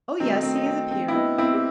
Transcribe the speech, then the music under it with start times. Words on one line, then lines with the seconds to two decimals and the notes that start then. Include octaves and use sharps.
"Oh, yes, he is a peer."
0.20 D#3 F#3 A3 C4
0.32 D#4
0.43 C4
0.54 D#4
0.66 C4
0.91 C4
1.08 E4
1.14 B3 D#4
1.38 C4 E4
1.53 G4